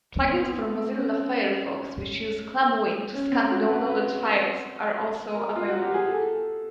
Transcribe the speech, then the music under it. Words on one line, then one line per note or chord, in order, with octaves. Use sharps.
Plugins for Mozilla Firefox which use ClamWin to scan downloaded files are also available.
C4
B3
C4
C#4
C#4
C4
F#4
B4
B4
A#4
F4
F#4
G4
G#4
A4